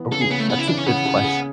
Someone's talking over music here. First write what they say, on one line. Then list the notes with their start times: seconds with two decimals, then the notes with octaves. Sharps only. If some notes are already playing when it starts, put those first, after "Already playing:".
Ooh, that's a good question.
Already playing: E3 B3
0.12 C#3 A4
0.21 G#4
0.30 C#3 B3
0.40 A3
0.49 C#3 B3
0.59 E4
0.68 E3 D4
0.78 C#4
0.86 C#3 B3
1.06 C#3
1.24 G#4